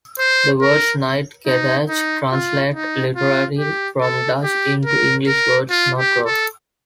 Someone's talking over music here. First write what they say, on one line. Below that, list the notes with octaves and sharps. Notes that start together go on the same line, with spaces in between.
The words 'niet gedacht' translate literally from Dutch into the English words, 'not thought'.
C5
A#4
D#4
D#4
F4
D#4
F4
G4
A4
G4
A#4
A#4
F4
G4
A4